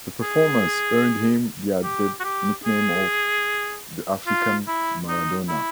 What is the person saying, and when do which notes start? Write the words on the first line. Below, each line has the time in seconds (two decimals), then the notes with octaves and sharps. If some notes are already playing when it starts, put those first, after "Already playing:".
The performance earned him the added nickname of "The African Maradona".
0.21 G#4
1.83 G4
2.20 F#4
2.24 G4
2.65 G#4
4.27 F4
4.68 E4
5.08 D#4
5.48 E4